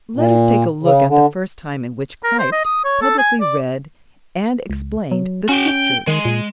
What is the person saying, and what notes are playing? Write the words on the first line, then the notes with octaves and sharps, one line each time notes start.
Let us take a look at the first time in which Christ publicly read and explained the Scriptures.
A#2
C#3
D3
A#4
C5
D#5
D#6
C#5
A4
G#5
D5
C#2
F#3
C#4 F#4 G5
G5
D#3 G#3
A#2